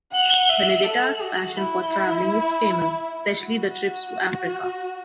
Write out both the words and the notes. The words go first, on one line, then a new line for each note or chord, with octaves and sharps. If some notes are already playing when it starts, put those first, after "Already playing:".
Benedetta’s passion for traveling is famous, especially the trips to Africa.
F#5
E5
A4
F#4
E4
F#4